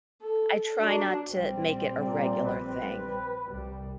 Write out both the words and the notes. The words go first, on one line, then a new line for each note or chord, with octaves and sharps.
I try not to make it a regular thing.
A4
F#3 D4
A#1 G3 C4
A#2
B4
C2 G3